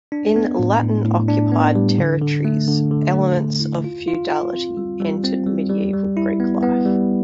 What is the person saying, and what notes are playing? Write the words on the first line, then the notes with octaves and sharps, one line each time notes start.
In Latin-occupied territories, elements of feudality entered medieval Greek life.
D4
B3
A2
A2
A2
D4
B3
G3
D3
D3
A3
D3
D3
A3
D3
E4
F4
F4
F4
C4
G3
G3
C4
G3
G3
G3
E4
B3
B3
G3